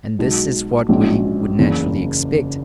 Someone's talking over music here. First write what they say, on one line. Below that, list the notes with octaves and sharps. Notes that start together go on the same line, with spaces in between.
And this is what we would naturally expect.
B1 B2 G#3
A#1 G#2 F#3 C#4 F#4
F#1 E2 C#3